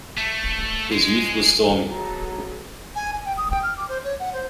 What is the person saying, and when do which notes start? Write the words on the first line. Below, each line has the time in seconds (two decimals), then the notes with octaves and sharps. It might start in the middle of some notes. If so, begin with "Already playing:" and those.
His youth was stormy.
0.17 A3
0.92 G#3
1.90 F#3 B3 G#4 A4 A#5
2.96 G#5
3.13 G#5
3.25 G5
3.37 D#6
3.51 G5
3.63 F6
3.77 D6
3.89 C5
4.04 C#5
4.20 F#5
4.33 C5